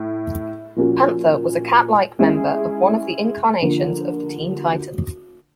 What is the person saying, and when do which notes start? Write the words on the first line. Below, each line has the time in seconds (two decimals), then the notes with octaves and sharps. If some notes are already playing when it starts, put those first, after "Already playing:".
Pantha was a cat-like member of one of the incarnations of the Teen Titans.
Already playing: A2
0.76 A#2 F3 A#3 C#4 F#4
2.19 G#3 C#4 E4 G#4
3.62 D3 F3 A#3